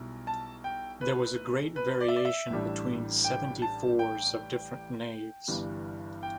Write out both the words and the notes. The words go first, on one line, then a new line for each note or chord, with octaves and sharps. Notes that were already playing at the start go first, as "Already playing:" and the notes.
There was great variation between seventy-fours of different navies.
Already playing: B1 B2 G3 E4
A5
G5
B4
B4
D5
E5
D5
E5
A1 A2 G3 D4
G5
A5
G5
G1 G2 E3 G3
G5